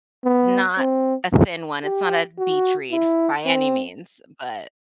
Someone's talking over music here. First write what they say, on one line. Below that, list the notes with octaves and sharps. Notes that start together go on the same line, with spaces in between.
not a thin one, it's not a beach read f by any means, but
B3
C4
G4
F#4
E4
C4